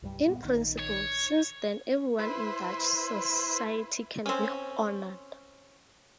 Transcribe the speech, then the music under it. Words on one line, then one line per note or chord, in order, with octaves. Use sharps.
In principle, since then everyone in Dutch society can be honoured.
C2 G2 G3
A#2 B3
A#1 D#3
C#5
E4 B4 C5
C4 C#4